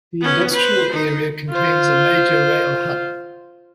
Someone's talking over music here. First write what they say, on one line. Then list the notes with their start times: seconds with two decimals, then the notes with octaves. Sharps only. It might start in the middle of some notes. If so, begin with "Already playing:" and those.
The industrial area contains a major rail hub.
0.21 B3 C#4
0.53 B4 C5
0.92 D#4
1.50 F4 C5